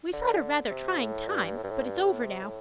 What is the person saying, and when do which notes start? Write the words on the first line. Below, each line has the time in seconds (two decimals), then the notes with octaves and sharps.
We've had a rather trying time but it's over now.
0.13 D3
0.70 C3
0.99 A2
1.28 G2
1.57 A2
1.64 G2
1.70 A2
1.85 G2
2.05 A2
2.24 C3
2.43 A2